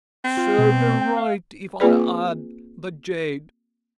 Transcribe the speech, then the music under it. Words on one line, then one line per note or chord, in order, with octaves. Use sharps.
Served her right if I had, the jade!
C4
F4
B2
G5
F5
A#3 C4 F4 G#4 B4 D5